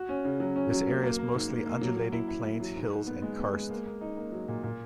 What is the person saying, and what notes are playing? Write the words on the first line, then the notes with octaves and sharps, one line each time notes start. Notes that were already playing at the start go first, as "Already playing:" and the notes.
This area is mostly undulating plains, hills, and karst.
Already playing: F#4
C#4
C#3
F#3
C#4
F#3
A#3
A#3
A#3
G#2
A#3
A#3
F#3
F#3
E4
E4
E4
F#3
G#2
G#2
B3
G#3
B3
G#3
A#3
A#3
D#4
A#3
F#3
A#2
A#2